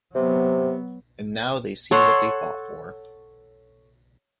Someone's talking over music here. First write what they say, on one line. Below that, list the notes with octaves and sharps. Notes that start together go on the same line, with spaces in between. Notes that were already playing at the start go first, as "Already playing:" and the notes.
And now they see what they fought for.
C3 F#3 B3
A4 C#5 F#5 C6